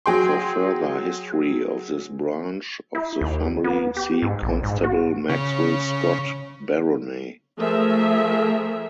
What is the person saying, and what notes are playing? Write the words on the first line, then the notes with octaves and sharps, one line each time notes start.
For further history of this branch of the family, see Constable Maxwell-Scott baronets.
F#3 G#4 G5 C6
E4
D#2
B3
G4
G#2
A#1
G#2
F#4
C#3
F3 A3 G#4 A#4 E5